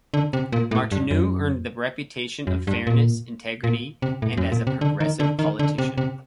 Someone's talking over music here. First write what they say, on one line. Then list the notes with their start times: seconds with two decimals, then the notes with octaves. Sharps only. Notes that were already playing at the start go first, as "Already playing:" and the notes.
Martineau earned the reputation of fairness, integrity, and as a progressive politician.
0.14 D3
0.33 C3
0.52 A#2
0.71 A2
0.92 G2
1.11 F#2
2.47 F#2
2.67 G2
2.87 A#2
3.64 A#2
4.02 C3
4.22 A2
4.37 F#2
4.52 A#2
4.67 C3
4.81 D3
5.00 D#3
5.20 D3
5.39 D#3
5.59 D3
5.78 C3
5.98 C3